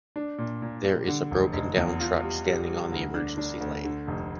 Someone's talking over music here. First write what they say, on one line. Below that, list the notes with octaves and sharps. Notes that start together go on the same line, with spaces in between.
There is a broken down truck standing on the emergency lane.
D4
A#2
A#2
G3
D3
F1
F1
E2
F4
G3
G3
G3
D2
D4
D4
D2
D3
F1